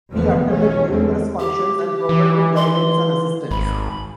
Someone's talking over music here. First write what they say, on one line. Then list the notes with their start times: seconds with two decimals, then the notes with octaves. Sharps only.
He attended numerous functions and provided guidance and assistance.
0.12 F1 E2 D3 F3 B3
0.48 B1 E3 F#3 A3 C#4
0.89 E2 D3 C4
1.39 G4
2.09 E3
2.56 C6
3.51 G#1 B5